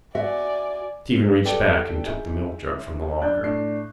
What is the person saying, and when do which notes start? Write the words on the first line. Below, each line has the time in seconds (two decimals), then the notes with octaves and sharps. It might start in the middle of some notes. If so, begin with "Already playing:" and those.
Stephen reached back and took the milkjug from the locker.
0.15 F#4 D5 E5 G#5
1.45 G4 A4 B4 D5 G5
2.05 D#4 G#4 E5
3.21 F#2 D4 D5 F#6 G6
3.43 A2 D4 C7